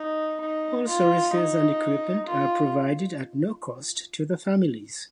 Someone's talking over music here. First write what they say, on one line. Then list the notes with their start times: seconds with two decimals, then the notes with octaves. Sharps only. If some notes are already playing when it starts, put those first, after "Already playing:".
All services and equipment are provided at no cost to the families.
Already playing: D#4
0.40 D#4
0.87 F4
1.32 D#4
2.26 F4